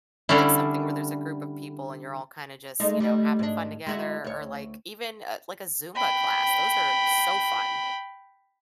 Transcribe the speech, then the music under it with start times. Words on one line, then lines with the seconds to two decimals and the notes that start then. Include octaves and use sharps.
Like, something where there's a group of people and you're all kinda just, you know, having fun together or, like even, uh, like a Zumba class, those are so fun.
0.29 D3 G3 C#4 E4
2.80 G#3 A3 D#4
3.00 G3 A3 D#4
3.39 G#2 D4
3.86 G#3 E4 F#4
4.24 D2 C#5
5.96 G5 B5